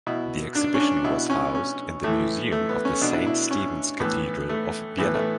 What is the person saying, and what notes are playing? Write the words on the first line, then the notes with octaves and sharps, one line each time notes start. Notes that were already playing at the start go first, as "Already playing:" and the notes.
The exhibition was housed in the museum of the Saint Stephen's Cathedral of Vienna.
B2 E4
D4
C#4
D4
B2 E4
C#4
C#4
A2 E3 A3
A3
B3
C#4
B2 D4
E4
E4
C#4
A2 E3 B3
A3
A2 E3 B3
A3